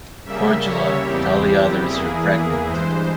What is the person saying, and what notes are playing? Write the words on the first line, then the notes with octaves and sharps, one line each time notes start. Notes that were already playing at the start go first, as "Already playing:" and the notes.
"Cordula: Tell the others you're pregnant!".
C#3 G3 A#3 E5
C#5
E2 C#3 G3 C4 E4 G4
E2 E3 A#3 E4 G#4
G2 E3 G#3 C5